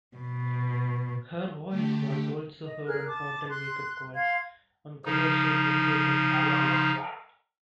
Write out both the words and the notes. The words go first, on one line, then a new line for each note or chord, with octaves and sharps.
Her voice was also heard on hotel wake up calls and commercial elevator messages.
B2
D3 A3 G4
D#5
G#4 A#4 F6 F#6
A5 D6
C6 F#6
F5 C6 G#6
C#3 F3 D#4